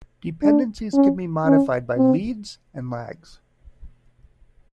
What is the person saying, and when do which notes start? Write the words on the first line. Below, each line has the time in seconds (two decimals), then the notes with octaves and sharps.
Dependencies can be modified by leads, and lags.
0.43 D4
0.93 C#4
1.46 C#4
1.97 C4